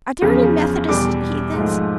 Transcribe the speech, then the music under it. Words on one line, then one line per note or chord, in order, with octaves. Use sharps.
Are there any Methodist heathen?
E2 C#3 F3
E2 B2 G3 D6
G#2 F3 A3